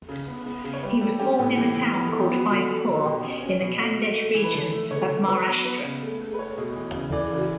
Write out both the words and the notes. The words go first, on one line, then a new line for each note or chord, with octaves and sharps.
He was born in a town called Faizpur in the Khandesh region of Maharashtra.
C#3
B3
B3
C#3
C#5
G3 B4
G3 A4
A4
C#4 G4
A2
E3 G4
E3
B3
B3 A4
G4
B3 F#4
D3 F#4
F#3 A4
D3
F#4
B2 G4
C#4
C#4
B2
A3 F#4
A3
A3
E3
B4
D3 A4
A3
D3 C#5
D3
F#3 B4
B3
B3 B4
C#3
A3
A3
B4
A3 C#5
B2
E3
C#3
E3 D5
C#3